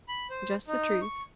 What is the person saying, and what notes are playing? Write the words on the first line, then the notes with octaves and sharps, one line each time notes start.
"Just the truth."
B5
C5
D#4
C#6